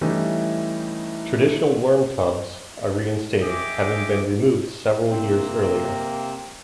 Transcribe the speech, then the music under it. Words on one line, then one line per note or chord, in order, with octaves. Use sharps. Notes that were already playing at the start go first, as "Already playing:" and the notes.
Traditional worm tubs are reinstated, having been removed several years earlier.
E3 G3 A3 C#4 D#4 E4
G4 G#4 D#5 E5 D6
C3 A#3 C4